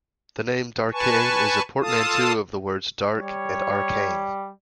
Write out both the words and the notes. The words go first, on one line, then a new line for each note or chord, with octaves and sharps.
The name Darkane is a portmanteau of the words "dark" and "arcane".
B4 G#5 A5 C#6
F4 A4 F5 A5 D#6
G3 C#5